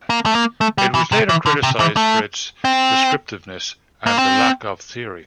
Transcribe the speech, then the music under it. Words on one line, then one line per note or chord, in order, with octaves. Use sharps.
It was later criticised for its descriptiveness and the lack of theory.
A#3
A3
A#3
A3
G3
E3
C3
E3
D3
C3
E3
A3
C4
A#3
C4